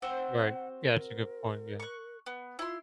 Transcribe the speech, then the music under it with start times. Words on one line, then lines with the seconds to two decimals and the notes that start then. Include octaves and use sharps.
Right. Yeah, that's a good point, yeah.
0.02 C4 F#4 C5 F#5
0.82 A#4
1.80 C#6 F#6
2.26 B3
2.59 E4 F4 C6